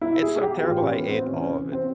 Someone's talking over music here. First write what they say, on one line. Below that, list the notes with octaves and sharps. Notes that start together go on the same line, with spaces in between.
It's so terrible, I ate all of it.
B2 E4
G#4
G4
A2 E3 F4
C#4
B3
C4
C3 E3 C#4
C#4
C4